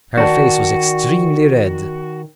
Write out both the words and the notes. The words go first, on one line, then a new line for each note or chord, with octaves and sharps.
Her face was extremely red.
D#3 F#4 D5 A5